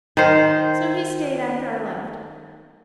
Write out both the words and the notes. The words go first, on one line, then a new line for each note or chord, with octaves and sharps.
So he stayed after I left.
D#3 C5